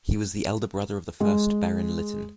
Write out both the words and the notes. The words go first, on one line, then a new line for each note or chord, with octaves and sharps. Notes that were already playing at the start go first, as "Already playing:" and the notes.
He was the elder brother of the first Baron Lytton.
G#3